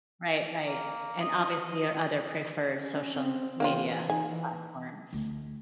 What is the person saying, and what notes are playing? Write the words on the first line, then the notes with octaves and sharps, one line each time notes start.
Right, right. And, obviously, your other preferred social m media platforms.
A#3
D#5
C#4
C4
E3 A#3 C4 F4
D#4 G#5
E3
D2